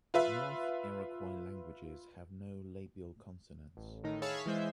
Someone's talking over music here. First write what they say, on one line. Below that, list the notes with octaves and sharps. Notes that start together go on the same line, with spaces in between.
North Iroquois languages have no labial consonants.
F4 B4 E5
A1
A2 D#3 D#4
G#4 C#5 E5 F5 A5 B5
E3 G#3 C5 E5